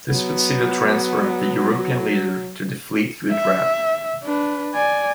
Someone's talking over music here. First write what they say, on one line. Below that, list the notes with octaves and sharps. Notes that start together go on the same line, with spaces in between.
This would see the transfer of the "European Leader" to the Fleetwood route.
F#3 B3
E5
D4 B4
D5 G#5